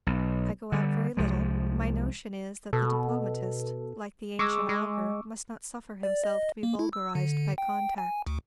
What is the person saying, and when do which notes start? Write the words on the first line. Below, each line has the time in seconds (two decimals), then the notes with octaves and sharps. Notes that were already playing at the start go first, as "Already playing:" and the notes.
I go out very little; my notion is, that the Diplomatist, like the ancient Augur, must not suffer himself to be vulgarized by contact.
0.07 B1
0.72 D3 G3
1.17 C2 F3 G#3
2.73 B2 A4
4.39 G#3 C#6 D6 E6
4.69 G#3
6.03 D5
6.24 D#5
6.63 A#3
6.79 E4
6.93 E6
7.15 D3
7.58 G5
7.98 G#5
8.27 D2